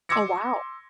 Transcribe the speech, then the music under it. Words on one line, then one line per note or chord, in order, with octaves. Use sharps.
Oh, wow.
C6 D6 E6 G#6 A#6 C#7